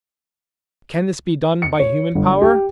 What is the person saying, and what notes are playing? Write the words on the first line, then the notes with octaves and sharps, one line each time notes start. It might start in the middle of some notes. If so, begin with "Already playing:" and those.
Can this be done by human power?
C#7
C#5
G1
G4